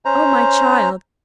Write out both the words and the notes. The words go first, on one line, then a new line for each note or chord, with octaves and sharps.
Oh, my child!
C#4 C5 A#5